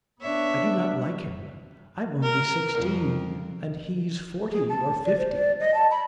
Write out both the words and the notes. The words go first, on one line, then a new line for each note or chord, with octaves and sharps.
I do not like him, I'm only sixteen, and he's forty or fifty.
B3 D4 C#5 E5
A#4
F2
G#4
A5
D5
C5
D5
D#5
A5
B5